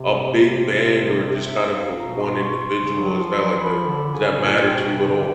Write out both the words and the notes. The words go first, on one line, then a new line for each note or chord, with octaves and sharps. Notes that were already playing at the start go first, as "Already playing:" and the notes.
a big band or just kind of the one individual? Is that like a Does that matter to you at all?
Already playing: C3
E5
F5
B2 A#5
C6
C#6
C#6
C6
C#3
F#3
F3 C6
F#3
E3
F3 B5
D3 A5
C#3 G#5
A#2 G#5
B2 G5
C3 G5
D3